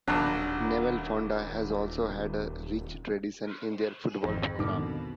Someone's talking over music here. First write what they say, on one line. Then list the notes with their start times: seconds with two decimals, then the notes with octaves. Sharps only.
Newell-Fonda has also had a rich tradition in their football program.
0.08 D#1 A#1 B2 F#3 D4
4.22 G#1 F2
4.59 C2 F2 G#2 B2 D3 D#3 D6 F6